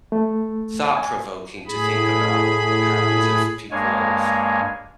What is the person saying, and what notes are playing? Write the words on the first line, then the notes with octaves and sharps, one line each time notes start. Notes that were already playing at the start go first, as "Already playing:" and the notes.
thought-provoking to think about what happens, if people,
A3
G#5
A2 G#4 B5
G2 G#3 A#3 C#5 G#5